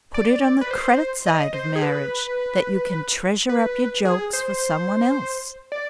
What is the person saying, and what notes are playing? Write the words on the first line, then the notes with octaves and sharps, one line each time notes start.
Put it on the credit side of marriage that you can treasure up your jokes for some one else.
D5
B4
C5
D#5
C5
G#4
B4
B4
G#4
C5
D5